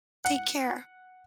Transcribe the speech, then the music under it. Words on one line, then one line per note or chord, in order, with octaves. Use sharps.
Take care.
F#5